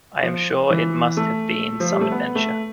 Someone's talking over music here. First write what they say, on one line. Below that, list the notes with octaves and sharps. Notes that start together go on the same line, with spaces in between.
I am sure it must have been some adventure.
F3
E3
A3
F3
G3
A3
B3
A3